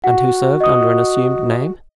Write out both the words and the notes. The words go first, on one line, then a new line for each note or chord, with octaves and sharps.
"And who served under an assumed name?"
F#4 F#5
D#5 D#6